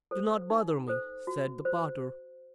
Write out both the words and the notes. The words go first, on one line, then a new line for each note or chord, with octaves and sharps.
"Do not bother me," said the potter.
A4 C5
D#4
A4 C5
F#4
C5